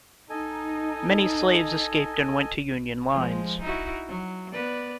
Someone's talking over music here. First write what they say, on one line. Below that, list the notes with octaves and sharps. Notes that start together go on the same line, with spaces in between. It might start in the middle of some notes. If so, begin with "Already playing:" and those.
Many slaves escaped and went to Union lines.
D#4 A4 D#5 G#5
F3 G#3
D#4 E4 F#4
F#3
B3 B4 D5